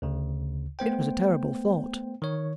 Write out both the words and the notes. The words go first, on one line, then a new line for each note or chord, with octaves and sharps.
It was a terrible thought.
D2 C#3
A3 B3 C5 G5
D#3 C#5